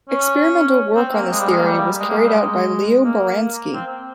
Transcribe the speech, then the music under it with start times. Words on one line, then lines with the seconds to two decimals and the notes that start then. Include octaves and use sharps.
Experimental work on this theory was carried out by Leo Baranski.
0.09 C#4
0.96 C4
1.13 A#3
1.30 G#3
1.39 G3
1.48 G#3
1.57 A#3
1.65 G3
2.00 G#3
2.09 A#3
2.17 G#3
2.26 G3
2.34 G#3
3.04 A#3
3.73 C4